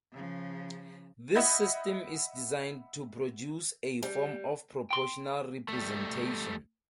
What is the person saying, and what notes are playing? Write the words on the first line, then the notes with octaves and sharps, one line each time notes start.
This system is designed to produce a form of proportional representation.
C#3 F3
D#5 E5 F#5 B5 G6 G#6
G3
G5 C6
G3 A3